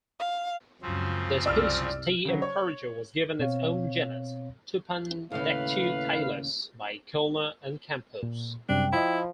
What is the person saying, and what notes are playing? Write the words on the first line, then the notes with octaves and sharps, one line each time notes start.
The species "T. imperator" was given its own genus, "Tupandactylus", by Kellner and Campos.
F5
C#2 F#2 C#3 F3 C4
C2 D5 E6 F6
C#3 F#3
C#5
B2 C4 C#5 F5
D#2 A2 C#3 B4 F5
A#2
F#2 C3 G3 D4 G5
F3 E4 D#5 B5